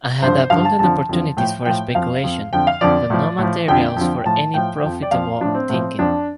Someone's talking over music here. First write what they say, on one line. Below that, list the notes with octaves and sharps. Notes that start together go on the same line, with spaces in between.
I had abundant opportunities for speculation, but no materials for any profitable thinking.
G2 D3 F3 C5
G2 D3 F3 F5
A5
F2 D3 F3 A5
F2 D3 F3
A2 F3 G5
A2 F3 G5
F2 F3 F5
F2 F3
F2 D3 F3 G5
F5
F2 D3 F3 D5
A2 F3
A2 F3
F2 D3 F3 G5
F2 D3 F3
A2 F3 A5
A2 F3 G5
F2 F3
D5
F2 F3 F5
A2 F3 D4
C4
A2 F3
F2 F3 D4